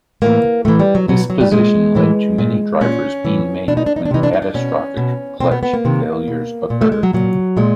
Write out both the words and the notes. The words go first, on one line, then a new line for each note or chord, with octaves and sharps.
This position led to many drivers being maimed when catastrophic clutch failures occurred.
A2 E3 A#3
A2 E3 A3
G3
F#3
B2 F#3
F#3
G3
A#2 G#3
A2 E3
A#2
A#2 C#4
A2 E3
B2 D4
D#4
D4
D#4
D4
C3 E3 D#4
D4
D#4
D4
B2 C#4
B2
B2 C4
B3
B3
A#3
C3 D#3
B2
A#2
A3
G#3
F#3
A#2 F#3
A#2 G#3